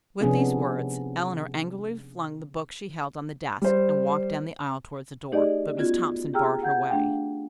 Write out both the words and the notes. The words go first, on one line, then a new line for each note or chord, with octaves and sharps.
With these words, Eleanor angrily flung the book she held on the desk and walked down the aisle toward the door, but Miss Thompson barred her way.
C3 F3 B3 C#4 D4 G#4
G3 C5
A3 D#4 G4 G#4 D5 D#5
B3 C#4 F4 F#4 G#6
G4 G#4 G5 A#5 E6 F6
F#5 G6 G#6
A3 D4 F5 G5